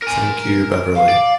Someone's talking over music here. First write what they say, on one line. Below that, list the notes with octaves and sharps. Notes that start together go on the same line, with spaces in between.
Thank You Beverley.
A#4 G#5
F5
D5